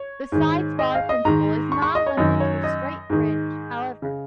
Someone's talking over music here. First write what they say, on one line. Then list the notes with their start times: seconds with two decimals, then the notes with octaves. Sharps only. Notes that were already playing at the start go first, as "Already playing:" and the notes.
The side-spar principle is not limited to a straight bridge, however.
Already playing: C#5
0.32 G#2 D#3
0.79 D#5
0.95 F5
1.09 D#5
1.25 G#2 D#3 A#5
1.72 C#6
1.82 C#6
1.95 D#5
2.07 C#5
2.17 F#2 D#3 D#5
2.40 C#5
2.64 D#5
3.10 G#2 D#3
4.02 C#3